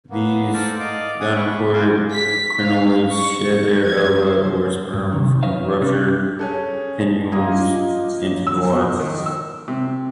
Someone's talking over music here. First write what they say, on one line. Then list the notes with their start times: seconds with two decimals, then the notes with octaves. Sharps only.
These gonochoric crinoids shed their ova or sperm from ruptured pinnules into the water.
0.10 A#3 B3
0.53 A4 A#4 C5 D5
0.80 D5 D#5 F5 D6
1.20 D5 F#5 G#5 D6 D#6
1.35 G#4 B5 C#6
1.73 E4 F4 C5 G#5 C6 D6
2.14 B6
2.62 F5
3.12 C#6
3.85 G#6
4.24 C5
4.94 G2
5.13 C3 D#3
5.43 D#4 B4 C#5 E5 F5
5.80 C2 D3 G3 A#3 C#4 D4
6.39 C#4 G#4 A4
7.32 F3 A#3 D#5
8.47 E6
8.70 B2
8.99 D#3
9.26 E6
9.68 C3